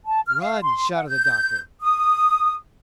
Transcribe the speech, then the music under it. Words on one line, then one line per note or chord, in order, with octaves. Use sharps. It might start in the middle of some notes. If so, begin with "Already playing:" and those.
"Run!" shouted the doctor.
A5
F6
F5
C6
F#5
G6
D#6